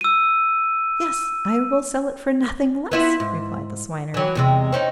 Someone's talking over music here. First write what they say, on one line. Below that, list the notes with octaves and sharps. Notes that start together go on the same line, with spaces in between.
'Yes, I will sell it for nothing less,' replied the Swineherd.
E6 D#7
B3 E4 F4
G#2
E3 F#3
E2 C3 G#3
C4 C#4 D#4